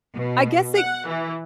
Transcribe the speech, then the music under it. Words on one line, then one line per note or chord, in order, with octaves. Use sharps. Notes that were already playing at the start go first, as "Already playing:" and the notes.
I guess it
B2
F#5
E3